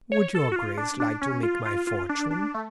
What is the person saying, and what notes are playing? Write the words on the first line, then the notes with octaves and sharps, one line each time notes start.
"Would your Grace like to make my fortune?".
C#5
A4
F#4
F4
D4
D4
C#4
F4
F4
F4
D4
D4
A3